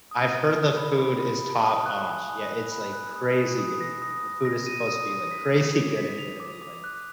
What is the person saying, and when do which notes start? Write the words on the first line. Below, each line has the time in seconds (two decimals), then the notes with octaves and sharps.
I've heard the food is top-notch. Yeah, it's like crazy good. The food is supposed to be, like, crazy good in Italy, like
0.11 D#6
0.33 D#6
0.55 D#6
0.77 B5
0.98 B5
1.20 B5
1.41 B5
1.63 D#6
1.86 F#6
2.07 G#5
2.29 D#6
2.50 F#6
2.72 B5
2.93 F#6
3.16 D#6
3.37 D#6
3.59 D#6
3.81 A#6
4.02 D#6
4.23 D#6
4.45 A#6
4.66 D#7
4.88 D#6
5.10 D#6
5.31 B6
5.53 D6
5.75 F7
5.97 B6
6.19 F7
6.40 D6
6.62 D6
6.84 F#6